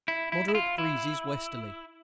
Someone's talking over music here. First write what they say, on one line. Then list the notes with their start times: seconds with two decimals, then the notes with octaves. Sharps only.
Moderate breezes westerly.
0.08 E4
0.32 E4
0.48 E4
0.55 F4
0.78 E4